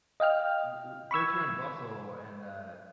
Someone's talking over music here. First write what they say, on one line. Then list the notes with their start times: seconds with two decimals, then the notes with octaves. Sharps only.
u u Bertrand Russell and, uh
0.20 D#5 F5 G5 F6
1.11 B5 C#6 E6 G#6